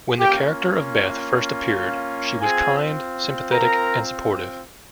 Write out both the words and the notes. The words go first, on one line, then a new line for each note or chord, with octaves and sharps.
When the character of Beth first appeared, she was kind, sympathetic and supportive.
A#3 C#4 F4 G4 G5
C4 F4 G#4 G#5
A#4 A#5